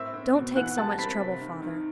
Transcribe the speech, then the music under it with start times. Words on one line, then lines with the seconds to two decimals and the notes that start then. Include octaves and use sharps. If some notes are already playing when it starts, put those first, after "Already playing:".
Don't take so much trouble, father.
Already playing: A2 C4 E5 E6
0.14 C4
0.35 B2
0.56 E3 F#5 F#6
0.77 G3 A5 A6
0.98 C4 B5 B6
1.19 C3
1.41 D#3
1.62 D#3